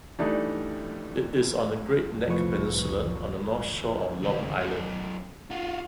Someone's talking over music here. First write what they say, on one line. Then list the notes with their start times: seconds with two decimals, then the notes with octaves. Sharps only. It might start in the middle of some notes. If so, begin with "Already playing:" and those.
It is on the Great Neck Peninsula on the North Shore of Long Island.
0.19 E3 G3 A3 D4 D#4
2.27 C2 F2 A2 F3 B4 C#6
4.22 D#2 C#3
4.58 F#2 C5
5.51 F4 F#4